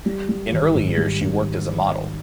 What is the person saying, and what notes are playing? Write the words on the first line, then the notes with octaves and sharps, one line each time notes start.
In early years she worked as a model.
G3
G3
G#1
G#2
G3
G#2